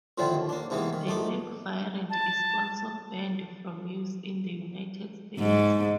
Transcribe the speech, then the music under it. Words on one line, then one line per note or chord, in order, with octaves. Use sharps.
The lake variant is also banned from use in the United States.
A#2 D3 D#3 F3 C4 E4
D#2
A#3 D4
G#2 C3 E3 A#3 B3
D#3
A#1 A3 D#4 D6
A5
G#2